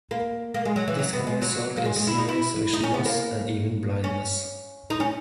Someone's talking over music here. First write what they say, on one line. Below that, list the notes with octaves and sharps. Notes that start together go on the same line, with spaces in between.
This can result in serious vision loss and even blindness.
A#3
A#3
G#3
F#3
E3
F#3
B3
G#3
F#3
A#3
G#3
G#3
E4
D#4
E4
D#4
C#4
B3
A#3
C#4
D#4
C#4